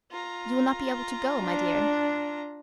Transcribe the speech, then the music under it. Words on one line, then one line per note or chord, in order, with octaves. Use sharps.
"You will not be able to go, my dear."
F4 A#5
D4